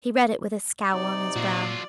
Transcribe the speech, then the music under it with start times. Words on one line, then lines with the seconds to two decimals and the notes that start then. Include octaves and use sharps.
He read it with a scowl on his brow.
0.93 C3 D#4 D5
1.36 A#2 F#3 F4